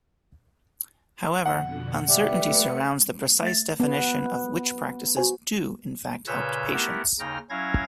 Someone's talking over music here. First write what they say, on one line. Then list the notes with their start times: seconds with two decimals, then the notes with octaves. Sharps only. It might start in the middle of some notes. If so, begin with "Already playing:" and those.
However, uncertainty surrounds the precise definition of which practices do in fact help patients.
1.46 F2 B2 D3 F#5
2.09 G3 A3 B4 E5 C#7
3.42 A3 A6
3.80 B3
5.17 F#4 C5 G#5
6.27 A#2 C#3 B4 C#5 E6 G6
6.73 A3 B3 E4 G4 A#4 F#5
7.19 D#2 C#3 D#4 G5 F6 A#6
7.50 F#3 C#4 E4 F5 G#6 A#6